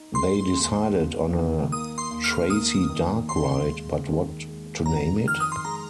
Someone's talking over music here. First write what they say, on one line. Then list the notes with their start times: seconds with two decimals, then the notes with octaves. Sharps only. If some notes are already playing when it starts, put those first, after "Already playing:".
They decided on a Tracy dark ride, but what to name it?
Already playing: D#4
0.15 G#3 C6
0.54 D#2
0.93 D#2
1.33 D#3
1.72 A#3 D#6
1.98 C6
2.11 D#2
2.24 F6
2.50 A#3 D#6
2.89 D#3
3.29 D#2 C6
3.68 G#3
4.08 D#3
4.48 G#3
4.86 F2 A#5
5.26 D#3 F6
5.40 D#6
5.52 C6
5.64 G#3 A#5